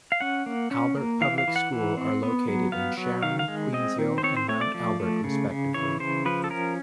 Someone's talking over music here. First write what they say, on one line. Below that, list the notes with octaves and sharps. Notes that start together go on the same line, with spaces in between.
Albert Public School are located in Sharon, Queensville and Mount Albert respectively.
F5
C#4 F#5
A#3
C#4
A#3
E3 F5
F5
E3
F#5
E3
C4
B3
F#3
B3 F5
F#3
D#3 F5
F5
G#3
C4 D#5
D#3
C5
C4 C#5
C5
A3 C#5
D5
F3
A3
C#3
C#3
E3 C#5
C#3 C5
F3 B4
A4
C#4 A#4